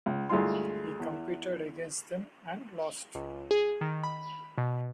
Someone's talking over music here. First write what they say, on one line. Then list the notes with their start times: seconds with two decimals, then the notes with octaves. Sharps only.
He competed against them and lost.
0.06 C#2
0.29 D2 G2 G#3 E4 F4 C6
1.00 E2
3.15 C#2
3.51 G#4
3.81 D#3
4.03 B5
4.58 B2